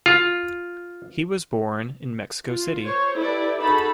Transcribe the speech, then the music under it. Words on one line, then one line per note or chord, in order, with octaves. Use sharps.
He was born in Mexico City.
F4
F4
C5 C#5
E4 G4 A4 B4 D5
D#4 F#4 G#4 A4 A5 B5